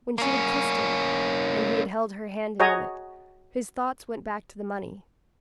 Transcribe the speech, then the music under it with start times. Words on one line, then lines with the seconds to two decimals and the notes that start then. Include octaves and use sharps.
When she had kissed him, and he had held her hand a minute, his thoughts went back to the money.
0.18 A#3 C#4
2.60 F#4 G#4 C#5 D#5 G#5 A#5